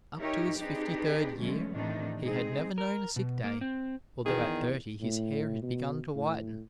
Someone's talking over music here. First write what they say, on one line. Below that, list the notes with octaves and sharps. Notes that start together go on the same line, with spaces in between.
Up to his fifty-third year he had never known a sick day, although at thirty his hair had begun to whiten.
D#4 G4 A#4 C#5 E5
C4 D4 D#4 G4 G#4 B4
D3 F#3 G#3 A3 B3 C#4
A2 C3 D#3 E3 D4 D#4
G#3 C4 D#4 G#4
A#4
B2
A#3
C4
E2 D#3 G#4
A2
B2
A2